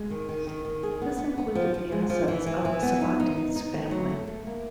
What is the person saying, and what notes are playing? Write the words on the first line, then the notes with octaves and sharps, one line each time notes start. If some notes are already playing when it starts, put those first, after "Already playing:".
This included the assets of Sabates' family.
Already playing: G#3
D#3
D#3
D#3
D#3
G#4
B3
B3
B3
F3
F3
G#3
F3
E3
E3
E3
B3
D#4
D#4
D#4
D#4
A3
F#3
A3
A3
A#3